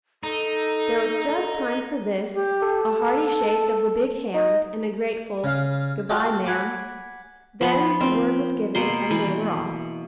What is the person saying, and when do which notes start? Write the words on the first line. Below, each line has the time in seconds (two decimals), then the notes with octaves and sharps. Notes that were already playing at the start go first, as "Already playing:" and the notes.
There was just time for this, a hearty shake of the big hand, and a grateful "Good-by, ma'am;" then the word was given, and they were off.
0.23 D#4 A4
2.34 G4
2.62 A4
2.87 A5
4.34 D#4 D#5
5.44 C#3 F5
6.09 F4 F#4 A4 D5 G5
6.46 F#5 G#5 B5 D6
7.61 F3 B3
8.00 C4
8.75 B2 A#3 C6
9.11 E3